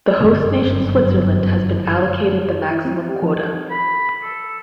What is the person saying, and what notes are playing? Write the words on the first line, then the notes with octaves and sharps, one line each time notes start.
The host nation Switzerland has been allocated the maximum quota.
G1 F#2
E4
C4
G4
F3
A4
B5
A4